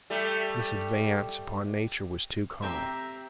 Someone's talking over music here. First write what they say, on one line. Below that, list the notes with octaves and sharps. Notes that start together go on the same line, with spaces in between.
This advance upon Nature was too calm.
G3 A3
C4 G4 E5 A#5